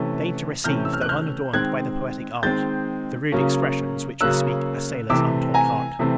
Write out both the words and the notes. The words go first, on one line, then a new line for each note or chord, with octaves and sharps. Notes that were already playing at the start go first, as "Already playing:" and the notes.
Deign to receive, though unadorn'd By the poetic art, The rude expressions which bespeak A Sailor's untaught heart!
Already playing: C3 E3 A3 C#4
C3 E3 A3 C#4 F6 G6
E6
F6
F#6
F6 G6
D#3 G#3 C4 F#6 G#6
D#3 G#3 C4 G6 A6
C#3 F#3 A#3 C#4
C#3 F#3 A#3 C#4 E6 F#6
C3 E3 A3 C4 D6 E6
G#5 A#5
C3 E3 A3 C4